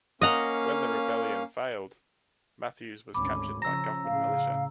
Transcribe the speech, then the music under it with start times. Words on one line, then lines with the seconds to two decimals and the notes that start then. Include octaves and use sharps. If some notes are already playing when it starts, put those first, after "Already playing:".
When the rebellion failed, Matthews was captured by government militia.
0.21 A#3 C#4 D#5 F5 F#5 A#5
3.14 G#1 D2 C#4 B5 D6
3.62 C#3 F3 C#4 A#5 E6 A#6
4.05 A2 C#3 F5